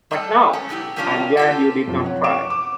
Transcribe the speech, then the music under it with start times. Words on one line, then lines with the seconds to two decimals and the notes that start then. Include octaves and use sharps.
But now, I’m glad you did not try.
0.11 G3 A3 A4
0.53 G#3 A3 C#4
0.69 B2 F#3 A3 E4 G4
0.96 B2 G3 A#3 C#4 D4 F4
1.37 F4 G4 A4
1.87 F#2 C3 F3
2.04 C#5 F#5
2.24 C#6 D6 D7 E7
2.50 D6